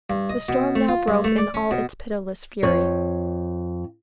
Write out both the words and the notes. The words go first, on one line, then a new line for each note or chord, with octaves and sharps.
The storm now broke in all its pitiless fury.
G2
D#5
B2
A3
F4
G2
A3
D5
C#4
B2
F2 C#5